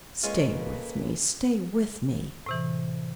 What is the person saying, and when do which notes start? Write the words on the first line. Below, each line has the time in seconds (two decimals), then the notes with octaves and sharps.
Stay with me, stay with me!
0.23 G#3 A#3 C#4 F4 A4 B4
2.46 A2 C3 E3